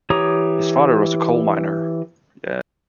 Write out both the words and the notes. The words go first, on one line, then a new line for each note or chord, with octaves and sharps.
His father was a coal miner.
E3 G4 C#5 A#5 D#6